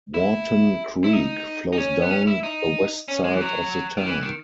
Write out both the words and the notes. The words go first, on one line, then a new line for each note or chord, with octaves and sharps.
Wharton Creek flows down the west side of the town.
E4
E4
D#4
D#4
C#4
B3
C#4
E4
D#4
C#4
G#3
E3
F#3
D#3
E3
D#3